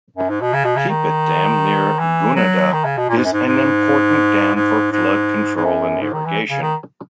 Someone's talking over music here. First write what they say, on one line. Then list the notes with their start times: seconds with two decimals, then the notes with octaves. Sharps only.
Keepit Dam near Gunnedah is an important dam for flood control and irrigation.
0.17 F#2
0.29 G#2
0.41 B2
0.54 C#3
0.65 B2
0.77 C#3
0.89 D#3
1.99 E3
2.35 F#3
2.73 D#3
2.84 C#3
2.97 B2
3.09 A#2
3.17 G#2
3.25 F#2
3.33 G#2
3.46 G#2
4.55 G#2
4.92 G#2
5.56 G#2
5.65 F#2
6.01 G#2
6.13 D#3
6.26 E3
6.50 C#3
6.62 D#3